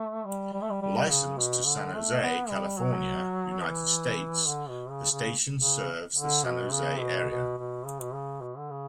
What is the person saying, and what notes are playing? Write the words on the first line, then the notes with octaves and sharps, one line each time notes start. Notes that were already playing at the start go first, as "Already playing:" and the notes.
Licensed to San Jose, California, United States, the station serves the San Jose area.
Already playing: A3
G3
G3
A3
G3
G3
C#3
B2
D3
A3
B3
G3
F#3
E3
D3
B2
C#3
C#3
C#3
D3
B2
C#3
B2
B2
B2
C#3
B2
C#3
B2
D3
C#3